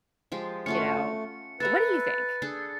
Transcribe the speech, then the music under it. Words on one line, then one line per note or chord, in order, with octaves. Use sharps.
You know? What do you think?
F3 G#3 G4
A3 C#4 F4 F#4 C#7
A4 B4 E5 A#5 A6
D4 G#4 A4